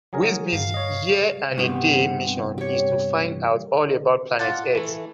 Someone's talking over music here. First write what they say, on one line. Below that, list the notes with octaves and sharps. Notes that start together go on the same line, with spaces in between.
Wizbit's year-and-a-day mission is to find out all about planet Earth.
F#3 G#4 A#4
G2 F5
C#5 D#5
G2 C3 B3 G4
G4 C#5
F4 D5 F#5 A5
E3 A3